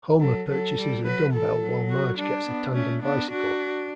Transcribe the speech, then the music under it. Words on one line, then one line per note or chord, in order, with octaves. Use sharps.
Homer purchases a dumbbell while Marge gets a tandem bicycle.
F#3 A4
F#3 A4
G3
F#3 B4
E3 A4
F#3
F#4
G3 D4
B3
A3 C#4
B3 D4
D4 F#4